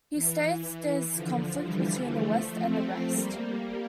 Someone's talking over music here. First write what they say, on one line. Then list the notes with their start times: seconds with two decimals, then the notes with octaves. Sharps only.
He states there is conflict between the West and the Rest.
0.14 E3
1.13 D3 F3
1.62 E3 G3
2.12 F3 A3
2.61 A3 C4
3.11 G3 A#3